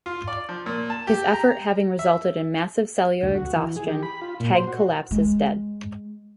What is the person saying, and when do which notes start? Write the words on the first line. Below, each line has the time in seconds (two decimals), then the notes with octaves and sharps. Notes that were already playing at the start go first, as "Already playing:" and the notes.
His effort having resulted in massive cellular exhaustion, Teg collapses dead.
0.06 F4
0.28 D5
0.49 F3
0.66 A#2
0.90 A5
1.07 G4
1.33 A#5
1.99 E5
3.23 D2
3.34 F#4
3.56 E3
3.76 G#4
3.88 G4
4.03 B5
4.21 F4
4.40 A#2
4.53 C5
4.67 F#4
5.11 G#3